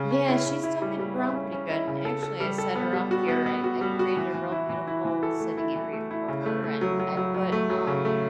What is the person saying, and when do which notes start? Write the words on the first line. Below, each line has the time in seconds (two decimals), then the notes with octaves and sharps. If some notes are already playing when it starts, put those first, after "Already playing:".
Yeah, she's still getting around pretty good. And actually, I set her up here, I I created a real beautiful sitting area for her, and I put, um
Already playing: C#3
0.11 C#4
0.29 E4
0.46 C#3
0.64 E4
0.82 G3
0.99 G3
1.17 E4
1.35 C#4
1.53 C#4
1.70 E4
1.87 C#3
2.05 A4
2.23 A4
2.40 G3
2.58 A4
2.76 B3
2.93 G3
3.11 F#4
3.28 B3
3.46 B3
3.64 F#4
3.81 G3
3.99 F#4
4.17 E3
4.34 E3
4.52 E4
4.69 E3
4.87 E4
5.05 E3
5.23 A4
5.40 A3
5.58 E4
5.76 E3
5.93 A3
6.11 E4
6.28 C#3
6.46 A3
6.64 A3
6.81 F#3
6.99 F#3
7.17 F#3
7.34 F#3
7.52 A3
7.70 F#3
7.87 C#3
8.05 A3